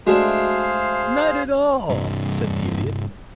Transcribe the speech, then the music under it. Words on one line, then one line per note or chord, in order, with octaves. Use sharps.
"Not at all," said the Idiot.
G#3 A3 D4 F#4 G#4 C5 E5 F5
C2 G2